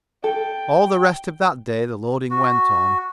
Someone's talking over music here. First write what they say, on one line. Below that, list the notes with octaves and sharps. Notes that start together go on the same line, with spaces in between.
All the rest of that day the loading went on.
A4 G5
F#4